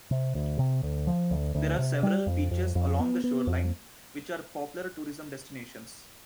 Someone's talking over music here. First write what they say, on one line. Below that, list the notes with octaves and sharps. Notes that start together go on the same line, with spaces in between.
There are several beaches along the shoreline, which are popular tourism destinations.
C3
D2
C3
D2
F3
D2
D2
C3
G3
F2
F2
F2
B3
B3
F2